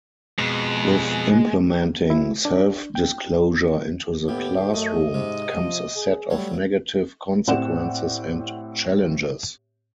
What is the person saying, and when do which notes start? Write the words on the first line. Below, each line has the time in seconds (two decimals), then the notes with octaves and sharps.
With implementing self-disclosure into the classroom, comes a set of negative consequences and challenges.
0.39 F2 B2 G#3
2.10 E4
2.45 D4
2.95 G5
4.28 D#2 A2 B3 G4
4.74 F#2 A3 D#5
5.14 G#2 C3
5.57 F3
5.96 G#4
6.30 F#3 G3 A3
7.47 A2 C4 G4 D5 F#5 E7